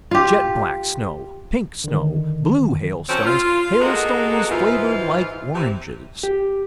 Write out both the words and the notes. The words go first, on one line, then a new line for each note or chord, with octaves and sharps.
Jet-black snow--pink snow--blue hailstones--hailstones flavored like oranges.
F4 G4
D3 D#3
F#3 A3 C4 C#4
F4
G#3 A#3 B3 D#4 F#4 A4
G#2 E3 F4
C3 E3
G4